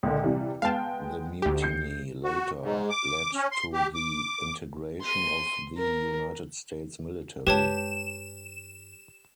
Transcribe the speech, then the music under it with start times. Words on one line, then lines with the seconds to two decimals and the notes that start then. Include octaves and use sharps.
The mutiny later led to the integration of the United States military.
0.03 C#2 A#2 D3
0.24 C3 E3 G3
0.62 G#3 B3 F5 G5 A5
1.42 D2 G4
1.62 G6 C7 C#7
2.24 F#4
2.61 G#2
2.90 D6
3.34 C#4
3.52 C6
3.73 G4
3.95 D6
5.02 C6 D#7
5.78 A#4
7.47 G2 G#3 G4 B4 C#5 A5 E7